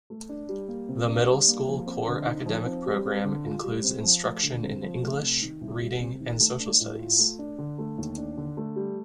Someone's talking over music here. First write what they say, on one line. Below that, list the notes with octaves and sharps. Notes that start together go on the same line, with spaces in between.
The middle school core academic program includes instruction in English, reading and social studies.
A3
D4
G3
A#3
C3
D4
G3
A#3
F3
C4
D3
D#4
F3
C4
G3
C4
D3
F4
G3
C4
F3
A3
D3
C4
F3
A3
C3
D#3
C2
G3
C3
D#3
A3
D4
A2
F4
A3
D4
D3
A3
D#2
D4
D3
A3
G3